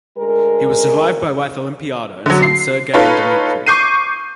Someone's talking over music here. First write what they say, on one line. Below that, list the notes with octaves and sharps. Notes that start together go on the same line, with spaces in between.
He was survived by wife Olimpiada and sons Sergey and Dmitry.
D2 G#3 A#4
D3 F#3
C7
D#4 F4 A4 B4 C#5
C#6 D6 G6 C7 D#7